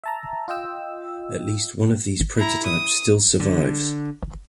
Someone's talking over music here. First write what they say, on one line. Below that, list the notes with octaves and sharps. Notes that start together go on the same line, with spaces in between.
At least one of these prototypes still survives.
E5 A5 A#5
F4 D#5 G5 E6
E4 A#5
D#6
D3